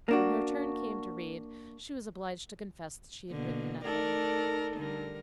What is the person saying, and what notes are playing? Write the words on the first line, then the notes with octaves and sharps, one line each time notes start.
When her turn came to read she was obliged to confess she had written nothing.
A#3 D4 F#4
B2 D3 A#3
A3 D#4 A4 A#4 D5
D3 G3 A#4